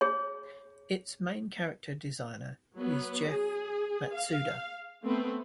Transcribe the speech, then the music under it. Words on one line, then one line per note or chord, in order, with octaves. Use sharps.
Its main character designer is Jeff Matsuda.
G#4 C#5
F#3 B3
G#4
F5
A3 B3 C4